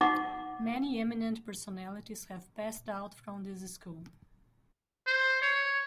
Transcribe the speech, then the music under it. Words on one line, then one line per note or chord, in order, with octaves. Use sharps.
Many eminent personalities have passed out from this school.
D#4 F#5 D6
C5
C#5